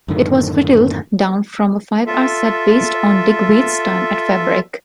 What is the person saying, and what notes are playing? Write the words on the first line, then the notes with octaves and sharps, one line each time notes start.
It was whittled down from a five-hour set based on Digweed's time at Fabric.
F#2 A2 D3 D#3
F4 A4 E5